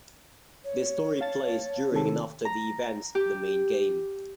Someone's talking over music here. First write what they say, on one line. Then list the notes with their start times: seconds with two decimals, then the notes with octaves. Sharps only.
This story plays during and after the events of the main game.
0.65 C#5
1.21 F5 A5 A6
1.92 C3 D#3 A4
2.45 A#5
3.15 G4